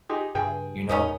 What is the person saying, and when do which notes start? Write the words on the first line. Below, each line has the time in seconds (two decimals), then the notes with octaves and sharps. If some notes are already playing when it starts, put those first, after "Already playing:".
You know?
0.09 D#4 G4 G#4 C6
0.35 G2 C#3 G#4 G5 G#5
0.89 E2 B3 C#4 D#4 A#4 C#5 C#6